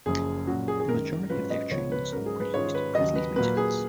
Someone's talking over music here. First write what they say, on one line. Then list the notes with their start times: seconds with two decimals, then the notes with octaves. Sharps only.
The majority of their tunes were used in Presley's musicals.
0.06 F#1 F#2 F3 G#4
0.47 A#2 F#3 C#4 F#4
0.68 G#4
0.80 G#4
0.88 F#2 D#3 G#3 A#4
1.30 G#2 F#3 C#4 F4 B4
1.50 D#5
1.71 C#2 C#3 F3 B3 F4 C#5
1.92 B4
2.12 G#2 F#3 C#4 A#4
2.26 G#4
2.40 B4
2.54 G#2 D#3 G#3 C#4 F4 C#5
2.75 B4
2.95 D#2 C#3 F#3 D#5
3.16 B4
3.36 A#2 F#3 A#3 B4
3.57 G#4